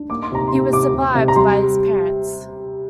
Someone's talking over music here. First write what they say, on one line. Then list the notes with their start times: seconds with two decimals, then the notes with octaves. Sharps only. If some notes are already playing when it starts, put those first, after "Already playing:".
He was survived by his parents.
Already playing: D4
0.10 A#3 D6
0.23 C6
0.32 C3 A#5
0.48 C3 C6
0.73 C3 D6
0.94 C3
1.15 C3
1.28 A#5
1.36 G3 C6